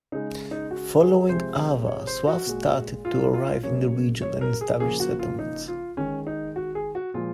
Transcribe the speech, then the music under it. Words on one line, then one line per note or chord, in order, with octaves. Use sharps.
Following Avars, Slavs started to arrive in the region and establish settlements.
C#3 G#3 D#4
D#4
F#4
G#4
C3 F3 G#3 C5
C#5
C5
F#4
A#2 G#3
F4
F4
C#3 F#3 A#3 C#5
C#5
A#4
G#4
C#3 F3 A#3 G#4
F#4
F4
D#4
F4
D#3 G#3 C#4
D#4
F#4
G#4
F#4
A#2 F3 G#3 F4